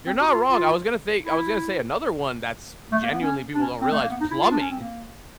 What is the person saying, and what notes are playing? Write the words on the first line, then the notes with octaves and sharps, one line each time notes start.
You're not wrong, I was gonna say I was gonna say another one that's genuinely people don't realize, plumbing.
C4
F#4
F4
F4
E4
A3
A#3
B3
C#4
D4
C#4
C4
A3
A#3
B3
D#4
E4
F4
D4
C#4
C4
A#3